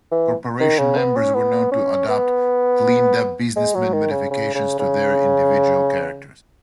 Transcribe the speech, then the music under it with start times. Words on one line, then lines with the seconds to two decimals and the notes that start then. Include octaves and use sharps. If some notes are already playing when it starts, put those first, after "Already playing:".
Corporation members were known to adopt "cleaned-up businessmen" modifications to their individual characters.
0.12 E3
0.60 D#3
0.79 C#3
0.97 B3
1.16 C#4
1.35 B3
1.71 C#4
2.09 B3
3.56 G#3
3.75 F#3
3.93 D#3
4.11 C#3
4.30 C#3
4.55 C#3
4.79 C#3